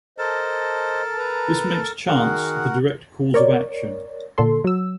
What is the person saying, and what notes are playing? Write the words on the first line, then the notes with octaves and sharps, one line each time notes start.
This makes chance the direct cause of action.
A4 A#4 C5 D#5 A5
B4 A#5
D#3 F#4 G#4 A#4 F#5
A#4 C#5 D5
A#2 D3 A4 C6
F#3 E6